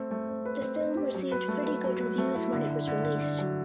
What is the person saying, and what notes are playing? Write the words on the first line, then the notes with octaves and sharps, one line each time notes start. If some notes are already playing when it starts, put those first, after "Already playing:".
The film received pretty good reviews when it was released.
Already playing: A3 C4
A3
C4
B4
C4
C4
G4
F#3
B4
A3
B4
F#3
B4
A3
E4
D3
D3
D3
D3
D3
F#3